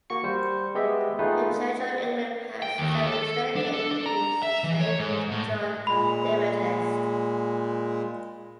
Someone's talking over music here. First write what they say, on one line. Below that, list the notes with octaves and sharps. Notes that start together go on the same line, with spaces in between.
The Church of England parish church is dedicated to Saint John the Evangelist.
A#3 F#4 C#6 C#7
G3 C5
G#3 B3 G4 D#5 E5
A3 B3 D#4 F4 G#4 B4
G5
D#2
A4
D4
A4
D4
A#5
E5
E3
C#5
G#2
A2
A#2 G#3 B5